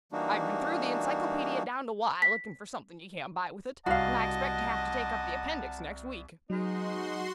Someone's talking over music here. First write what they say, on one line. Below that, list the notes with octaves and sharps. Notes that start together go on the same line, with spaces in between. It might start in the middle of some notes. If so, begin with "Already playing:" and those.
I've been through the encyclopaedia down to Y looking for something you can't buy with it; and I expect to have to take up the appendix next week.
E3 G3 A#3 D4 D#4 F#4
B6
C2 F#4 D#5 F5 F#5 A5
F#3 G#3 B3 D#4 F#4 C6